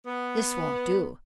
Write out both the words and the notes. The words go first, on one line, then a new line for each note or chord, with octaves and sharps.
This won't do.
B3